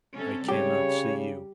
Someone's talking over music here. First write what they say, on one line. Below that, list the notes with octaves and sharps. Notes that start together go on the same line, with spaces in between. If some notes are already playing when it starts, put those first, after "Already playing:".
I cannot see you.
C3 C#4 A4
C#3 G3 G4 C#5